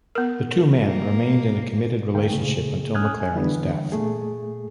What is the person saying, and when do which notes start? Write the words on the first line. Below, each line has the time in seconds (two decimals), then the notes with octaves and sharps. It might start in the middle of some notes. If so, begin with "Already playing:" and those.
The two men remained in a committed relationship until McLaren's death.
0.15 B3 A#4
0.85 A#3
2.15 D2 A#4 F5 G5
2.30 A#2 C#3 A3 G#4
2.95 C#4 G#5 D#6 F6 F#6 G#6
3.20 G#5
3.35 D3 E3 G3 B3 D4
3.92 A#2 A3 G#4